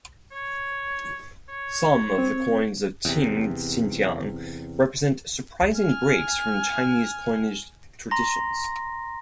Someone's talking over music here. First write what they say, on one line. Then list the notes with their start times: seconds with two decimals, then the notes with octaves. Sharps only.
Some of the coins of Qing Xinjiang represent surprising breaks from Chinese coinage traditions.
0.32 C#5
1.49 C#5
2.18 C4
3.05 E2 C3
5.78 G#5 F6
8.11 A#5 C6 A#6